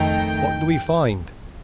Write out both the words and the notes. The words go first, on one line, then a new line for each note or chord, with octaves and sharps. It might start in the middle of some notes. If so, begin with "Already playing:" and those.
What do we find?
Already playing: F2 D#3 A3 D#4 G5